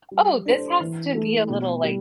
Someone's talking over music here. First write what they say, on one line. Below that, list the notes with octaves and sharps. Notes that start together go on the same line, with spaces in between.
"Oh, this has to be a little, like"
G3
D4 A4 C5
E3
A3 E4 A4
B2
G3